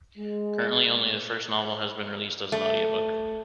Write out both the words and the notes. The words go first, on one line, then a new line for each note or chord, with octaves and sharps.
Currently, only the first novel has been released as an audiobook.
G#3
A3